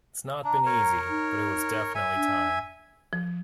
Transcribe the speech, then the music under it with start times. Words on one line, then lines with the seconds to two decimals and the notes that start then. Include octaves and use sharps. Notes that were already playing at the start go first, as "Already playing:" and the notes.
It's not been easy but it was definitely time.
0.44 D4 A#5
0.66 A#4 C#5
1.09 D#4
1.95 E5 G#5
2.15 D4
3.13 F3